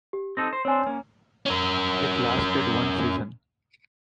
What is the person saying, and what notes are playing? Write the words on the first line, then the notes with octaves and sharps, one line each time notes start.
It lasted one season.
G4
C4 D#4 A4 A#6
C5
C4 D4 C5 C#5 G#5
A#3 C#4
C#4 A#4